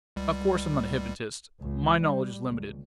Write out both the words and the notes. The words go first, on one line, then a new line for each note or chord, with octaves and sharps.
Of course I'm not a hypnotist; my knowledge is limited.
C#2 G3
C#2
G3
C#2